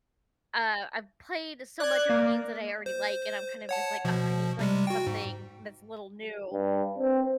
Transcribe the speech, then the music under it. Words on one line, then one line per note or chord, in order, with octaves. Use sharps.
uh, I've played so much of the games that I already like, and I'm kind of just like, "Oh, I need, like, something that's a little new,"
D5 F#6 G#6
A#3
C5
C#5 F#5 A5
B2 F3
C3 G3 G#3
F#4 G5
G#2
G2
C4